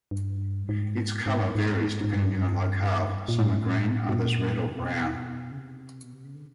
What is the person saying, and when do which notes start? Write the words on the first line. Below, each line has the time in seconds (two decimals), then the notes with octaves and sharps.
Its color varies depending on locale: some are green, others red or brown.
0.11 G2
0.69 G#2
1.26 G#2
1.55 G#2
2.04 G#2
2.13 G2
3.28 A#2
3.39 A2
3.49 G#2
3.61 A2
4.09 B2
4.15 A#2
4.68 C3
4.72 B2
5.51 C#3
5.58 C3
6.03 B2
6.14 C3
6.24 C#3
6.35 D3